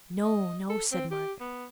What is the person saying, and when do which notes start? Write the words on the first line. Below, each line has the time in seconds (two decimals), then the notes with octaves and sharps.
"No, no," said Margaret.
0.24 D#5
0.70 A4
0.92 C4
1.11 G4
1.40 B3